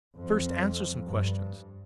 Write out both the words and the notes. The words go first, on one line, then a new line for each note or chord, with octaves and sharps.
First answer some questions.
F2
G2